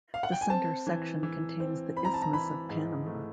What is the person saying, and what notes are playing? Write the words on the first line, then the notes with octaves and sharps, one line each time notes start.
The center section contains the Isthmus of Panama.
F5
F#5
G5
G#5
C4 A5
E3
E3
C4
C4 B5
A#5
A5
A#5
E3 B5
G#2
A3